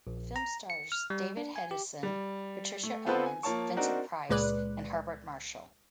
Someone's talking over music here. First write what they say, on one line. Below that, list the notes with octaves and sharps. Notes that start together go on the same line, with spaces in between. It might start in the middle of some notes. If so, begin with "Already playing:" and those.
The film stars David Hedison, Patricia Owens, Vincent Price and Herbert Marshall.
A#1
A#5
C#7
F6
G3
D4
G#5
G4
G3
A3
B3 C4 F4 A4 B4 C5
G#5
F3 A#3 C#5 A5 C#6
C4 D4 D#4 F#4 A#4
C#2 A#2 G#3 B4 D5 F#6